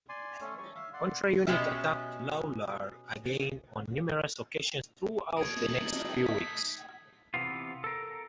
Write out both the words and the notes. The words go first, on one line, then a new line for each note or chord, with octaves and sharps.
Contra Unit attacked Lawlor again on numerous occasions throughout the next few weeks.
D5 G#5 C6
A3 C#4 C#5
G3 C#6
E5 F5
D5 F#5 C6
B2 G#3 C#4 G4 E5
B2 D#6 G#6 D7
A3 D#4 F#7
B6
C3 E3 B3 F4
A4 A#4